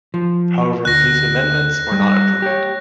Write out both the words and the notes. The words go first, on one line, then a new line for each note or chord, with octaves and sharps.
However, these amendments were not approved.
F3
D2 F#6 A#6
G3
G4 C#5